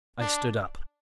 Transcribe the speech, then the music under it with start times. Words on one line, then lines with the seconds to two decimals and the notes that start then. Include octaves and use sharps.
I stood up.
0.21 D4